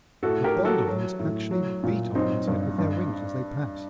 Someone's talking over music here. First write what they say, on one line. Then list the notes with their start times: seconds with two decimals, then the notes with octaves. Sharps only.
The bolder ones actually beat on one's head with their wings as they pass.
0.23 A2 F#4 A4
0.44 G4 A#4
0.55 F#3
0.65 F#4 A4
0.87 F#3
1.19 A2
1.51 F#3
1.83 A#2
2.14 F#3 C4 D#4
2.48 G2
2.78 G2